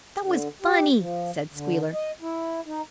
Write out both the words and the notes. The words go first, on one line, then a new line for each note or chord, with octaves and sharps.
"That was funny," said Squealer.
D3
G4
F3
D3
D#5
E4
D#4